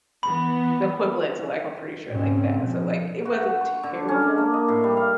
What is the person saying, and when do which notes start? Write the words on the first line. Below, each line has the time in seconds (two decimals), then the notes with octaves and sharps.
the equivalent to like, I'm pretty sure like that. So like it wasn't terrible,
0.23 E3 B3 B5
2.11 D#2 G#2 C#3 C4 C#4
2.61 B2 F3
3.25 F#4
3.43 F#4
3.61 C#6
3.83 D3
4.09 C#4
4.22 D4
4.38 A#3
4.54 D#5
4.68 A2
4.84 G3
4.97 F5